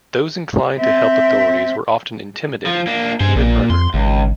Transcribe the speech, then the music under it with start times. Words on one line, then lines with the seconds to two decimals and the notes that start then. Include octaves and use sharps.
Those inclined to help authorities were often intimidated, even murdered.
0.78 C4 E5
2.66 F3
2.87 A#3 D4
3.20 G2 G#4 C5
3.36 A#1 A#2
3.70 F2 C6
3.94 G#1 C#2